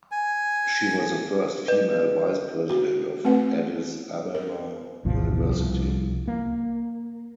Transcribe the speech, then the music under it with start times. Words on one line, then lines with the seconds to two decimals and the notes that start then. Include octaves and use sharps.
She was the first female Vice president of Addis Ababa University.
0.12 G#5
1.68 B4
2.70 F#4
3.25 A3 C4 B4 F#5
4.35 A#4
5.05 G#1 D2 B2 F3
5.46 C2 F3
6.28 A#3